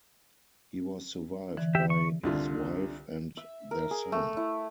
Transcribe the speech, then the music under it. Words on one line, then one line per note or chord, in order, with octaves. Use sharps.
He was survived by his wife and their son.
D3 E3
G4 E5
C#6
C2 D3 F4
E5
A#4
G#4
A3
E4